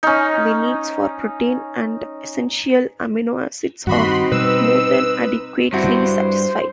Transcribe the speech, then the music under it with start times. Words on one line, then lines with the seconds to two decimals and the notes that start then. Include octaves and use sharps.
The needs for protein and essential amino acids are more than adequately satisfied.
0.03 C#4 D#4
3.87 G2 D#3 C4 D#4 F#4 B5 C6
4.32 B2 G3 B4 E6
5.73 G2 C4 E4 F#4 C5